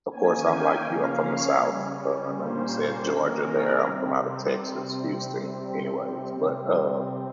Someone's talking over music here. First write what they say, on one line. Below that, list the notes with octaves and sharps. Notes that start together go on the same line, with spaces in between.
of course, I'm like you, I'm from the South, uh, I know you said Georgia there, I'm from out of Texas, Houston anyway, but, uh
D#3 A#3 C#4 G#5
G5
C#3 F3 A#3 C#4 F5
C#5
C#3 G3 C#4
A#2 G3 A#3 C#4 C5
C5
D#3 A#3 C#4 A#4
G#4
C3 G3 C4